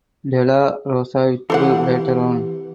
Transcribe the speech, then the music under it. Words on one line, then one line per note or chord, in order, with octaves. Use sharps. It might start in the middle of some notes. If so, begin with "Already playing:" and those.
Dela Rosa withdrew later on.
C3 E3 A4 C5 F#5